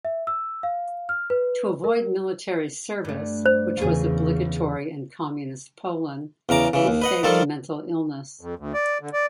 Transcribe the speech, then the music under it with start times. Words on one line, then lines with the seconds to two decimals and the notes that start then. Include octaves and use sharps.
To avoid military service, which was obligatory in Communist Poland, he faked mental illness.
0.05 E5
0.27 E6
0.63 F5
1.09 F6
1.30 B4
1.84 A#4
3.05 G2 A3
3.46 C5
3.77 E2 C#3 F4 G#4
6.49 E2 C#3 A#5 D6
6.73 C#3 E3
6.87 D#2
7.02 B4 D#5 F#5
7.23 D#3 F3 G3 A4
8.41 F2
8.59 D2
8.74 D5
9.01 D3
9.13 D5